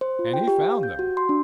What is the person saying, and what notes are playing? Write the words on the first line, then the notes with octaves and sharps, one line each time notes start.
And he found them.
C5
F4
G5
G4
F5
G6
F#4
C6
D4